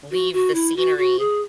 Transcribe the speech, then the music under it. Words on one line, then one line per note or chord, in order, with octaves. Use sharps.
leave the scenery
F#4
F#4
E4
F#4
F#4
G#4